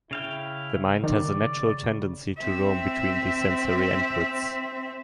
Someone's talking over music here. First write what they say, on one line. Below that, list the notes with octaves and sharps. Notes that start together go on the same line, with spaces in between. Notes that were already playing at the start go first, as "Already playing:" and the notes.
The mind has a natural tendency to roam between the sensory inputs.
C#3 E4 F5 G5
D#3 D5
C4 E5